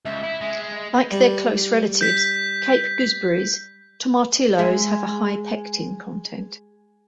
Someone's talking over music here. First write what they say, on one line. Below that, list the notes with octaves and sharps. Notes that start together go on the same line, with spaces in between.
Like their close relatives, cape gooseberries, tomatillos have a high pectin content.
C#2 E5
E4
G#3
G3
G6 B6
G#3 G#4 E5